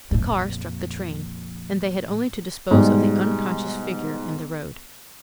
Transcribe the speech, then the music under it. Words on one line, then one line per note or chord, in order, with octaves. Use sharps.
The car struck the train, and they had only to dispose of the unconscious figure in the road.
F2 A#2
G#2 B2 G3